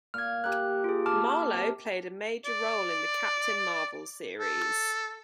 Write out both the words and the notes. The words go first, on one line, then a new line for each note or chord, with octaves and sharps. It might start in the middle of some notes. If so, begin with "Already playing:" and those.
Marlo played a major role in the "Captain Marvel" series.
A#2 F6 G#6
G4 A#4 F#6
F4 G#4
A5 D6 F6
C3
D5
A4